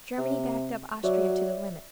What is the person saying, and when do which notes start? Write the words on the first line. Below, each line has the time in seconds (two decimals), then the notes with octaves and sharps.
Germany backed up Austria to the limit.
0.18 C3
1.04 F#3 C#5 D5 E5